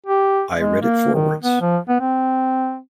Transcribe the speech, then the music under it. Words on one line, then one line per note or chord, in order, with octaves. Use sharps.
I read it forwards.
G4
G#3
A#3
D#3
B3
F3
B3
C4